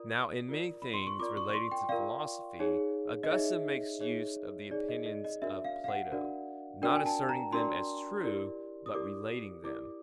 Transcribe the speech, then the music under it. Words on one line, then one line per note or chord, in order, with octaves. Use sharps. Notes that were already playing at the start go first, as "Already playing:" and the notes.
Now in many things relating to Philosophy Augustine makes use of the opinions of Plato, not asserting them as true, but relating them.
Already playing: F4 A#4 D5 D#6
F4 A#4 D5
B5
C6
C#6
F4 A#4 D5 D6
C#6
C#6
C6
G5
F4 A#4 D5 F5
D#4 G#4 C#5
D#5
D#4 G#4 C#5 E5
D#4 G#4 C#5
D#4 G#4 C#5 D5
D#5
D#5
D#5
D4 F#4 A#4 D5 E5
F5
F5
F#5
D4 F#4 A#4 D5
D4 F#4 A#4 D5 G5
G#5
A5
A#5
D4 F#4 A#4 D5 C6
E4 G4 A#4 D5
D#6
E4 G4 A#4 D5 D6
E4 G4 A#4 D5 D6